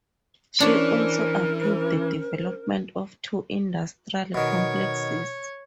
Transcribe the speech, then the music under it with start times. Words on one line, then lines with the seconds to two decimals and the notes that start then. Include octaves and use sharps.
She also approved the development of two industrial complexes.
0.60 E3 C#4 D4 A#4 C5 C#5
4.34 B2 D#3 C#5